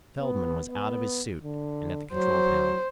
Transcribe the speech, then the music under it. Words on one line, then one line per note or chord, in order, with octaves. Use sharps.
Feldman was out of his suit and at the control panel.
B3
B3
D3
F#3 C5